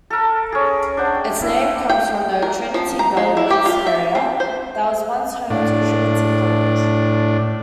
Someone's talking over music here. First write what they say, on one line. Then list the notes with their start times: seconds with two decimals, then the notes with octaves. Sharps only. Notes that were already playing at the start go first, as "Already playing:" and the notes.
Its name comes from the Trinity-Bellwoods area that was once home to Trinity College.
0.10 A4 A#4
0.52 C#4 G#4
0.97 D4 C5 F#5
1.15 G5
1.42 E4
1.89 G5
2.42 A#4
2.74 F3
2.99 A#5
3.17 G#3
3.37 E4
3.50 G4
3.66 F4
3.87 E5
4.15 C4
4.40 C5
5.50 A2 D4